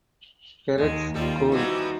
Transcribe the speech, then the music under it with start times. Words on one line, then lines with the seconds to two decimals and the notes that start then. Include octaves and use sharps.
Peretz School.
0.78 D#2 G#3
1.14 D#2 G3 F4 A4
1.52 E3 F3 G3 D#4 F#4